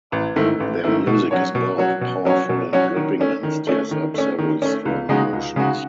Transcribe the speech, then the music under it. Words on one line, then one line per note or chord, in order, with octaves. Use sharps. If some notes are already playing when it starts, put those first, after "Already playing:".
Their music is both powerful and gripping and stirs up several strong emotions.
A1
G#2 D#3 A3 E4
A1
G#2 D#3 A3 E4
B2
F#3 C#4 F#4 C#5
B2
F#3 C#4 F#4 C#5
B2
F#3 C#4 F#4 C#5
B2
F#3 C#4 F#4 C#5
D#3
A3 C#4
D#3
A3 C#4
D#3
A3 C#4
D#3
A3 C#4
C#2
C#3 G#3 D#4 F#4
C#2
C#3 G#3 D#4 F#4